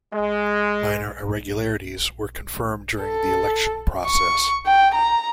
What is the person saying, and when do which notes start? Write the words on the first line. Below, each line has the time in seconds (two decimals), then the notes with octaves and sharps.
Minor irregularities were confirmed during the election process.
0.14 G#3
3.03 A4
4.06 C#6
4.67 G5
4.95 A#5